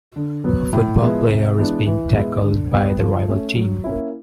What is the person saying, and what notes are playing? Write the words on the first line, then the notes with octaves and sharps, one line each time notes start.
A football player is being tackled by the rival team.
D3
F#3 B3
A2
F3 G#3 B3 E4
C3
E3 G#3 B3 D4
E3
G#3 B3 E4
D3
G3 B3
F3
A3 C#4
F#3
A#3 C#4 E4